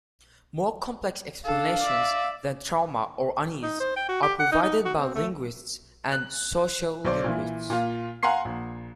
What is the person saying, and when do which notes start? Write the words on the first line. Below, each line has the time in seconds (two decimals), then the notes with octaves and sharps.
More complex explanations than "trauma" or "unease" are provided by linguists and sociolinguists.
1.44 D4 A4 F5
1.83 D5 E5
3.63 D#4
3.80 C5
3.97 G5
4.09 F#4
4.23 G4
4.40 F#5
4.52 D#4
4.63 D#4
4.85 F#4
4.98 C4
5.15 A3
6.12 F#6
7.05 B1 C5 D5
7.24 A#2 E3
7.70 A#2 F4
8.23 F5 F#5 G#5 A#5 C6 C7
8.45 A#1